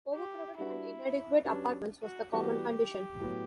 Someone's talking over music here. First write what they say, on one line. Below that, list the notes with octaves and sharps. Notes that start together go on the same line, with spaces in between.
Overcrowded and inadequate apartments was the common condition.
G4
G3 D4 E4 F#4 B4
F#3 C#4 D4 G4 B4
F#4
E3 G3 B3 F#4 G4
A2 F#3 B3